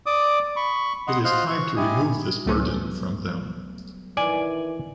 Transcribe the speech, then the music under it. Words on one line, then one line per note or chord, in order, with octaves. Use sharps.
It is time to remove this burden from them.
D5 D6 D#6
B5 C#6
D#5 F#5 C6
F4 C5 D#5 C6 F6 F#6
C#6
E4 G4 D#5 G#5
C#2 F#3 G3 A3 B3 C#4
D#3 E3 D5 G#5